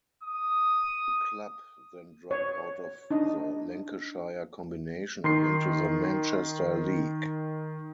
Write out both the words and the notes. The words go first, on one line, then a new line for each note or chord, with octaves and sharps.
The club then dropped out of the Lancashire Combination and into the Manchester League.
D#6
C#5
D4 D#4 D#5
D#3 C6 C7